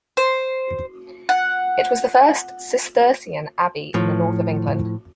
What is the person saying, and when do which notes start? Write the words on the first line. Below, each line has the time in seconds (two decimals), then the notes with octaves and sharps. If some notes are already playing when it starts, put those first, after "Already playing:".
It was the first Cistercian abbey in the north of England.
0.17 C5
1.29 F#5
3.94 A2 F3